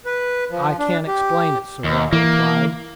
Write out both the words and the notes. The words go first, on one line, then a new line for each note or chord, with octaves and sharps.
"I can't explain it, sir," I replied.
B4
F3
D4
G4
D#2
E3 A#3